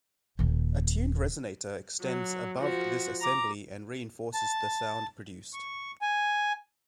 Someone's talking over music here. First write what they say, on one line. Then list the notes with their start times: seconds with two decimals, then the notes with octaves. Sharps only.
A tuned resonator extends above this assembly and reinforces the sound produced.
0.39 D#1 D#2
2.02 F#3
2.59 F3 F#4
3.21 A#5 D6
4.34 A5
5.53 C#6
6.01 G#5